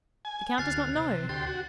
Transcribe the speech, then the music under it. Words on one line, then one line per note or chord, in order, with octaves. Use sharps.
"The count does not know?"
G#5
D2 F6 F#6 A6 C7
C3
D2 G4 C6 A6
F#4